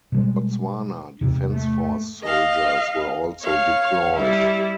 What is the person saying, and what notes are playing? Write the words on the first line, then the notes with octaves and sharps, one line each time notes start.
Botswana Defence Force soldiers were also deployed.
B2 G3 G#3
E2 G#2 C3
A3
D#5 F5
C#5 F5
G3 E4